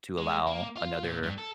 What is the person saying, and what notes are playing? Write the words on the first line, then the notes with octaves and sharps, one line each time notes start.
to allow another,
G#3
A#3
F4
A#2
G2
A4